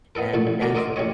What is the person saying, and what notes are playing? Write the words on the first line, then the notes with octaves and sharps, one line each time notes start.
and natural,
B3 D#4 A4 A#4
A1 A#2 A3
A1
D2 F#4 A#4 D5 A#5
D2 A#4 D#5 E5 C6 D6
A1 C#4 G4 C#5 D#5